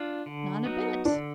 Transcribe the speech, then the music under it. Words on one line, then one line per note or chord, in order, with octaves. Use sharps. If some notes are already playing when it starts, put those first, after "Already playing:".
'Not a bit.
Already playing: D4 F4
D3
F#3 B3 D#4 F#4
D3 D4